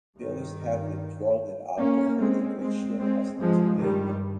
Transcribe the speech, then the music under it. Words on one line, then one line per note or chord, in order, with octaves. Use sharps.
Phillips had a drug and alcohol addiction as a teenager.
G2 D#3
A#3 C#4
G#3 C4
G#3 C4
G#3 C4
G2 F3 G#3
D#3 G3